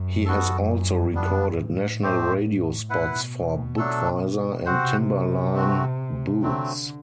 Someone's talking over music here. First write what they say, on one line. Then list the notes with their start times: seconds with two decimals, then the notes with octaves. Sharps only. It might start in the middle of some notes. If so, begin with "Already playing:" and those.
He has also recorded national radio spots for Budweiser and Timberline Boots.
Already playing: F#2
0.26 B3 F#4 A4
1.14 F#2 G3 B3 D4
1.58 A2
2.02 A3 C4 G4 C5
2.90 B2 E4 B4 F#5
3.78 F#3 A3 D4 A4
4.66 C3 C4 F#4 C5 F#5
5.54 A3 C4 F#4
6.42 D3 F#3 A3 C4